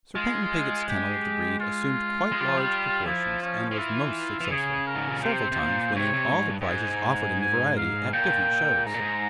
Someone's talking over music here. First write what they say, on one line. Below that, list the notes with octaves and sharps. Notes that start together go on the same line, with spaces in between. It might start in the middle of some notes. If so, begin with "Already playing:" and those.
Sir Paynton Pigott's kennel of the breed assumed quite large proportions, and was most successful, several times winning all the prizes offered in the variety at different shows.
G#3 F4
G4
F4
G#3
G3
F3
G3
F3 E4
C#4
F3
E3 F4
E3
C#3 G#4
A#4
G#2
A#2
C3 C5
C3
A#2
C3 C#5
C3
G#2
G2
G2
G#2 G#5
G#5
F5
A#2 G5
G#2 A#5
A#2
G#2